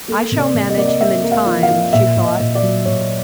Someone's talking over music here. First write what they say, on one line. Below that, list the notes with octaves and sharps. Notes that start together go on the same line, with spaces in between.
"I shall manage him in time," she thought.
A#3 A4
C3
D5
C3
D#5
A#3 D5
D#5
A#3 E5
A#3
F5
F3
F5
F3
A#2 E5
A#2
D#5
A#2
D5
F#3
A#2 C#5